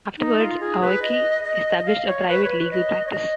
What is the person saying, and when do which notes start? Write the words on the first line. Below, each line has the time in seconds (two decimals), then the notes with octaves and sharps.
Afterwards, Aoki established a private legal practice.
0.18 D#4
0.39 F4
0.60 G#4
0.81 B4
1.02 D#5
1.43 D#5
1.78 D#5
1.85 F5
2.07 C#5
2.28 B4
2.44 C#5
2.49 B4
2.71 D#5
3.07 C#5
3.12 D#5